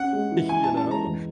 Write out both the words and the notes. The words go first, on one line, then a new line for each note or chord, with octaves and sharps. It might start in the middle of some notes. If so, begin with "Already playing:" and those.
you know?
Already playing: C#4 F#5
G#3
E3
E3 G#5
A5
C#4
A5
G#3 A#5
E2